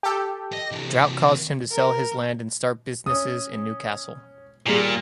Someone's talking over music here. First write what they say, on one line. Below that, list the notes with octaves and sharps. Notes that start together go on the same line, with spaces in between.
Drought caused him to sell his land and start businesses in Newcastle.
G4 A4
D#5
C3 E3
A#4
C#4 D#6
D#2 A#2 G3 A#3 G#4